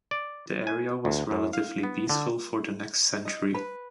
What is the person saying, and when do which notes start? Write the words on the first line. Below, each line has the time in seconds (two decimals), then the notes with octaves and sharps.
The area was relatively peaceful for the next century.
0.11 D5
0.67 G#5
1.05 D2
1.31 F#2
1.53 F5
1.83 B3
2.09 D3
3.25 D#5
3.54 B4